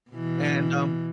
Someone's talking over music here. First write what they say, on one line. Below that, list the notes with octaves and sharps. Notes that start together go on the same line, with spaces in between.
And, um
B2 E3